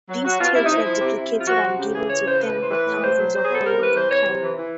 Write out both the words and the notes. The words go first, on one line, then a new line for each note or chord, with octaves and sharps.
These tapes were duplicated and given to tens of thousands of followers in Cairo.
F#3
F#3 F#4
B2 F4
C3 E4
F3 D#4
E4
F3
C3
C3 E4
F3
F4
F3 F#4
C3 F#4
C#3 G4
E3 G#4
E3 C#5
C#3 C5
A2 B4
E3
C5
E3 B4
A2
B2 C5
F#3
F#3 C5
G#4
B2
A4
C3 A#4
E3 B4
E3 C5
C3 C#5
C3
E3
E3